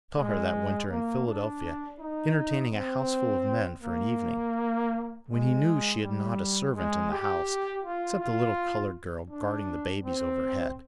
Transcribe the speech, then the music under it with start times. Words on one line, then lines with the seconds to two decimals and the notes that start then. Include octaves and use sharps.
He saw her that winter in Philadelphia entertaining a houseful of men for an evening, when he knew she had not a servant in the house except the little colored girl guarding the babies overhead.
0.17 G#3
0.89 A#3
1.26 D4
1.99 D#4
2.72 C4
3.81 A#3
5.29 G#3
6.01 G3
6.75 G#3
7.11 G4
7.84 F4
8.20 F4
9.31 D4
10.04 C4